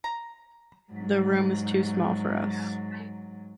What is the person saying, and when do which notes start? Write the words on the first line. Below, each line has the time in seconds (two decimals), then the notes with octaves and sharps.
The room is too small for us.
0.04 A#5
0.92 G#2 F#3